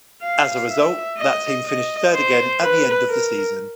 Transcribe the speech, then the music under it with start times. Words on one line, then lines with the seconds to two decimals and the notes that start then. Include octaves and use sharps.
As a result, that team finished third again at the end of the season.
0.22 F5
0.69 E5
1.18 D#5
1.66 D#5
2.13 C5
2.61 B4
3.09 A#4